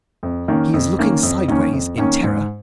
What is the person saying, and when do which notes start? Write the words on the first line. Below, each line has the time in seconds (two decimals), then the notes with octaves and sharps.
He is looking sideways in terror.
0.23 F2
0.48 D#3 A#3 C#4
0.74 F2
0.99 D#3 A#3 C#4
1.23 F2
1.48 D#3 A#3 C#4
1.73 F2
1.98 D#3 A#3 C#4
2.23 G#2